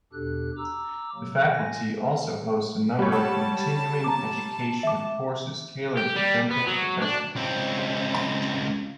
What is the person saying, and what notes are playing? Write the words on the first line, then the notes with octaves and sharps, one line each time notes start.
The Faculty also hosts a number of continuing education courses tailored to dental professionals.
E2 B2 D4 G4 A4 F#6
A#5 D6 E6
C3 F#3 A#3
A2 G#5 A#6
G3 C#5
F#5 A5
A#5 D6
E5 D6
G4
G3
B3
F#3
D4
C#2 C4